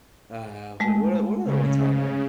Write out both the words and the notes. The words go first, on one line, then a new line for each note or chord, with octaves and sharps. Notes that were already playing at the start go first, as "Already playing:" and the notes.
uh, w what o what other ones are there?
G#3 A3
C#3